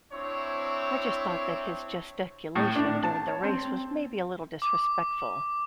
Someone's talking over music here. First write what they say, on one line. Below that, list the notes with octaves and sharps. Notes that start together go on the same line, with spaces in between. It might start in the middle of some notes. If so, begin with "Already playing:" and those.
I just thought that his gesticulation during the race was maybe a little disrespectful.
C4 D4 E4 C#5 C#6
A2
D4
A5
C#5
C4
D6